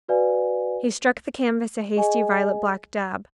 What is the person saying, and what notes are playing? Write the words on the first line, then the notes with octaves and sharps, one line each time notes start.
He struck the canvas a hasty violet-black dab.
F#4 B4 D5 F5 G#5
G#4 D#5 G#5